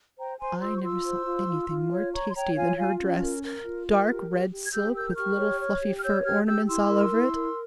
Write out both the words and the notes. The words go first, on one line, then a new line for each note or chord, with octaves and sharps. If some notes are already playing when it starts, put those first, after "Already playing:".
I never saw anything more tasty than her dress,--dark red silk, with little fluffy fur ornaments all over it.
C5 G5 A#5
C5 G#5 C6
F4 C6 E6
C#6
F4 C6 E6
C5
F4
F4
F4
C#5
C#5 A#5 C#6
C6
C#5 G5 A#5
F4 F5 G#5
F4 F5 G#5
C#4
A#4
A#4
F4
A#4
G4
G4
G4
G#6
G4 E6 G6
A#4 E6 G6
G6
G4 C#6 F6
C#5
C#5
G4
F6
C#5 E6 G6
G4 F6 G#6
G4 E6 G6
E4 C6 E6
A#4
E4
A#4